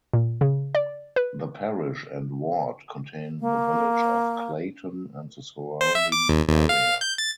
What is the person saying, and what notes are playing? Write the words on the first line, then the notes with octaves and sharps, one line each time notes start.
The parish and ward contain the village of Clayton and the surrounding area.
A#2
C#3
D5
B4
A#3
C5
E5
D6
D#2
D#2
F5
G6
A6